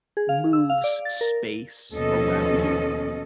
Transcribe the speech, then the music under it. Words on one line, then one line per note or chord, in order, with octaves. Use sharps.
moves space around you
G#4
F5
E6
F5
D5
A6
A#4
D#2 B2 F3 C#4 A4 D#5